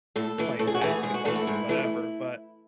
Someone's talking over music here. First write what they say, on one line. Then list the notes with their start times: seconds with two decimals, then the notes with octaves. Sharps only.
playing basketball or whatever. But,
0.16 A2 A4
0.38 E3 A3
0.59 A2 A4
0.67 G#4
0.74 F#4
0.81 E3 A3 G#4
1.03 G#2 G#4
1.14 F#4
1.25 E3 A3 F#4
1.36 E4
1.47 G#2
1.69 E3 A3